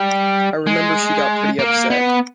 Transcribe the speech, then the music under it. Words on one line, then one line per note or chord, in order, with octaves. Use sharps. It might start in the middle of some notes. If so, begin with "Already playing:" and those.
I remember she got pretty upset.
Already playing: G3
G#3
A#3
B3